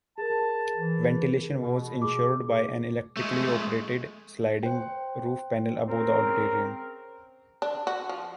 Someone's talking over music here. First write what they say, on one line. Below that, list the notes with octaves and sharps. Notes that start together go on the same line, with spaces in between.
Ventilation was ensured by an electrically operated sliding roof panel above the auditorium.
G#4 A#4 A5
E3
B2
G#4 D6
G#3 A3
C5 G5
C#3 C4 A#4
D4
F#4
F3